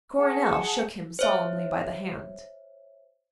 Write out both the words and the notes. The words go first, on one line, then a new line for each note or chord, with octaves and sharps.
Coronel shook him solemnly by the hand.
G#4 F#5 G#5 A5
C5 C#5 E5